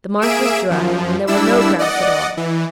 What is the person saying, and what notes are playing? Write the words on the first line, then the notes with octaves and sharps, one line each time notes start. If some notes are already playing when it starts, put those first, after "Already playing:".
The marsh was dry and there were no grouse at all.
A#3 G#4 E5 D7 E7
F#2 F3
G3 D4 E4 E6
D5 D#5 F#5
E3